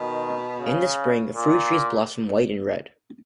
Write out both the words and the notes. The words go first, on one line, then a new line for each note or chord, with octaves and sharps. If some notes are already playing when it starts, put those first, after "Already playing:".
In the Spring, fruit trees blossom white and red.
Already playing: B2 D#3
C#3
A#2